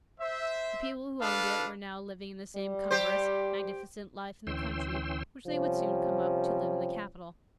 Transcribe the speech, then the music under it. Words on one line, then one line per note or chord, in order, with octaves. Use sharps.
The people who owned it were now living the same cumbrous, magnificent life in the country which they would soon come up to live in the capital.
C5 E5
D4 A4 B4 F5
G3
G4 C5
D2 E3 C#4 G5 C6 E6
C3 F3 G3 C#4